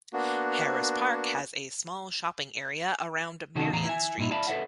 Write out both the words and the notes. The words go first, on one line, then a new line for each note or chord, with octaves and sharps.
Harris Park has a small shopping area around Marion Street.
A#3 B3 D4 F#4
C3 D#3 C#4 D#4 F#4 A4
E2 A2 E3 F5 A#5
E4 E5 G#5
G2 A#2 D#4 E4
E4 D5 E5 F5 A5 B5
A4 B4 C#5 D#5 E5 F#5